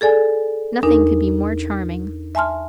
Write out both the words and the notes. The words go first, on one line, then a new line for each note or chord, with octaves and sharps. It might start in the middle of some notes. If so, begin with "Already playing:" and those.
Nothing could be more charming.
G#4 A4 D5 G#5
E2 D4 D#4 A#4
E5 G#5 A5 C6 F6